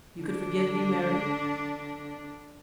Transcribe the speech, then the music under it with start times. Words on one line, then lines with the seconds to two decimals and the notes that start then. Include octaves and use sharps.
"You could forgive me, Mary?"
0.21 D3 D4